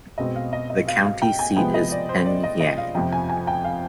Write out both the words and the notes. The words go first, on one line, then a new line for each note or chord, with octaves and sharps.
The county seat is Penn Yan.
B2 G#3 C4 D#5
F5
D#5
D#5
F5
F5
G5
G#5
C3 F3 G#3 B3 G5
D#5
D5
C5
D5
D#5
D#5
F5
F2 C3 F3 G5
G#5
G#5
G5
F5